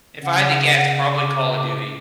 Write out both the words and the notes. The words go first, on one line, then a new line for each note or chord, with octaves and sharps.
If I had to guess, probably Call of Duty.
C#3 F#5
D6